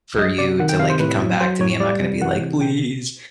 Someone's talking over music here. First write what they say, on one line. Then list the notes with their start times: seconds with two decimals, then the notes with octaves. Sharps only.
for you to, like, come back to me. I'm not gonna be like, 'please.'"
0.18 F#3 D#5
0.38 C3 D5
0.60 D#3 F#5
0.69 G5
0.79 C3 F5
0.90 C5
1.00 A2 B4
1.20 F#3
1.41 F#3 C5
1.60 A2 C#5
1.80 G3 D5
2.01 C3
2.21 E3 F#5
2.42 C3
2.61 B2 G5